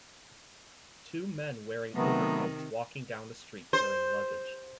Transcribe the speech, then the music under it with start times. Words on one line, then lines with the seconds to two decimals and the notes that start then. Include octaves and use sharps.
Two men wearing overcoats walking down the street carrying luggage.
1.95 C3 D#3 F#3 A3 B3
3.73 C5